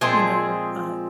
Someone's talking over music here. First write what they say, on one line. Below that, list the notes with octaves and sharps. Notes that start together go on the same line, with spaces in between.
You know, uh,
A#2 F3 G#3 C4 G#4